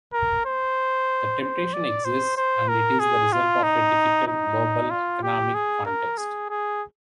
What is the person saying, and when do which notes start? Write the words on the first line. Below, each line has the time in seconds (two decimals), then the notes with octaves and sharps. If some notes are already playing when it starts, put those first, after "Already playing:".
The temptation exists, and it is the result of a difficult global economic context.
0.13 A#4
0.45 C5
1.41 C5
1.73 D5
2.05 C5
2.37 C5
2.68 A#4
3.00 G#4
3.32 F4
3.63 D#4
4.27 D#4
4.90 F4
5.23 G4
5.54 G#4
5.86 A#4
6.17 G#4
6.50 G#4